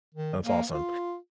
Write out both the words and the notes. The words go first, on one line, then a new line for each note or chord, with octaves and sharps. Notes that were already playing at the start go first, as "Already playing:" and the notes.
That's awesome.
D#3
A#3
F4